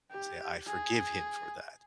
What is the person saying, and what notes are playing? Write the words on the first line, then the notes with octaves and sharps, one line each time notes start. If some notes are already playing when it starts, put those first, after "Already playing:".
say I forgive him for that,
G4
G#4